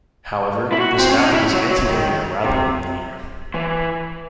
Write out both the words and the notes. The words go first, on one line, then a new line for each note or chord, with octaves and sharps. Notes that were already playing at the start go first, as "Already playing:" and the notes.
However, this mapping is antilinear rather than linear.
E4
F#4
C4
C#4
D#4
E4
F#3
F#3
D#3
C3
E3